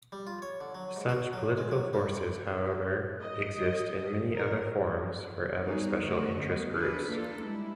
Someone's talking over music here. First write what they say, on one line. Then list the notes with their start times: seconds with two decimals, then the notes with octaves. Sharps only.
Such political forces, however, exist in many other forms for other special interest groups.
0.12 G3
0.27 F4
0.42 C#5
0.61 D3
0.75 F#3
0.96 G#2
1.09 F#4
1.33 F#3
1.57 G#3
1.71 F#3
1.93 G3
2.15 C3
3.21 D#5
4.35 A#4
5.63 G3 B3 D4 D#4 F#4 G#4
6.01 D3 A3 F#4
6.37 C#3 G3 B3 D#5
6.72 D4 E4 G#4 A4 B4
7.07 A#3 D4 F4 A4
7.41 G3 G#3 E4